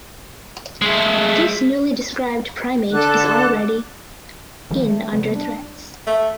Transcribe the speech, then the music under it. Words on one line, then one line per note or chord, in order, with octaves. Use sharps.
This newly described primate is already in under threats.
G#3 A3
D3 A4 D6 F#6
D#3 F3 G3 G#3
A3
C3 F3 G3 B3
D4
A3